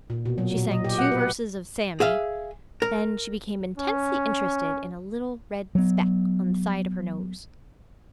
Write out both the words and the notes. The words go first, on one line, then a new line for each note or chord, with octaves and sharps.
She sang two verses of "Sammy." Then she became intensely interested in a little red speck on the side of her nose.
A#2
B2
F#3
A#2
D#5
G4
F#5
B4
G#4 E5 F5
A#4
C#4
F#3 B3